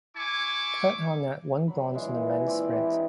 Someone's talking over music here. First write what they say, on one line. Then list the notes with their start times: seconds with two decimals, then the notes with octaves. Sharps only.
Curt Harnett won bronze in the men's sprint.
0.17 E4 G#5 C#6 D6
1.68 F#3 B5
1.94 A#2 C#3 E3 G#3
2.47 C4 E4 D5
2.73 G4
2.88 D#4 B4